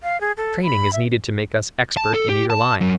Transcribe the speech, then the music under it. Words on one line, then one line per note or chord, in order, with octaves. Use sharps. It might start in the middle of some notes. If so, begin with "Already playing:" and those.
Training is needed to make us expert in either line.
F5
G#4
A4
B5
E5
A5
A4
G4
A5
F#2